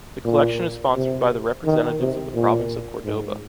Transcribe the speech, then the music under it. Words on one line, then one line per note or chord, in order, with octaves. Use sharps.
The collection is sponsored by the Representatives of the Province of Córdoba.
A#2
C3
D#3
C3
A#2
G#2